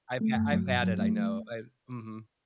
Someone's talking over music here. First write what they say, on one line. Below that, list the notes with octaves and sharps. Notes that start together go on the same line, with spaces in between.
I've had I've had it, I know. I mhm.
A3
G2
F#3
G2
F#3
A3